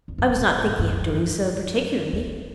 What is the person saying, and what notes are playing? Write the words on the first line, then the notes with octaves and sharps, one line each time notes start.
"I was not thinking of doing so particularly."
E2
F#2
G2
A2
F#2
G2
F#2
E2